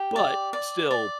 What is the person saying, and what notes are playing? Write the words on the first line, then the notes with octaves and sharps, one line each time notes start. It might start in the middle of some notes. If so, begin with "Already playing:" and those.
but still,
Already playing: G4 G5
D5
D5
D5